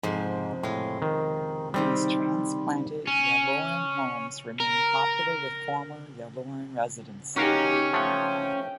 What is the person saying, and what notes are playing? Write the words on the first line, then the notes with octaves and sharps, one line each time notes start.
These transplanted Yallourn homes remain popular with former Yallourn residents.
F2 G#2 C3 C5
A2 G#3 F4
D#3
C3 D#3 G3 C4 G5
C#4
A#4
C#4 D#4 F#4 G4 A#4 F5
F3 A3 F#5 G5